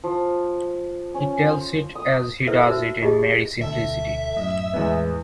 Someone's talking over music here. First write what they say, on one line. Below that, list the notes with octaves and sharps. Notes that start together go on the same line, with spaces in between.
He tells it as he does it in mere simplicity.
F3
C#4
C5
D#6
E4 A4 B4 C5 D5 E5
D#4 F#4 A#4 C5 E5
D#4 F4 G4 G#4 D#5
D2 B2 A4 E5
F#2 A2 D#5
E2 A2 G#3 B3